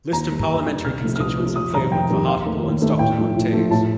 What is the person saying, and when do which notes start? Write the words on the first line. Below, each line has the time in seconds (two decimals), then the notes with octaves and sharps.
List of Parliamentary constituencies in Cleveland for Hartlepool and Stockton-on-Tees.
0.12 D#2 A#5
0.31 D#3 G3
0.49 D#2
0.66 D#3 G3
0.84 C2 F6
1.03 C3 F3 A3
1.16 F6
1.20 C2 D#6
1.38 C3 F3 A3
1.56 F2 D#6
1.74 C3 D#3 G3 A#5
1.92 F2 G5
2.10 C3 D#3 G3
2.28 D#2 F5
2.46 D#3 A3
2.64 D#2
2.82 D#3 A3
2.99 A2 G5
3.17 F3 A3
3.36 A2
3.53 F3 A3
3.71 A2 A5